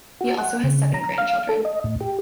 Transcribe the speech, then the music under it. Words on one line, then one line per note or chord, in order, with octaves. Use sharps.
He also has seven grandchildren.
F#4
F#5
C#3
A#5
F5
A4
D#5
A2
G4